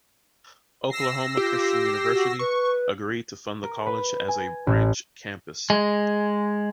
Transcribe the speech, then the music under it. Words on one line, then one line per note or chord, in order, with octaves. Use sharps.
Oklahoma Christian University agreed to fund the college as a branch campus.
E6 A#6 C7
F4 G4
F#4
B4 C#6
A#4
B4
G#5
A1
G#3